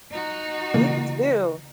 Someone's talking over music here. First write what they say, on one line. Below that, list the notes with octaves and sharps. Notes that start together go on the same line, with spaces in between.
You too.
D#4 F#4
C#3 E3 A#3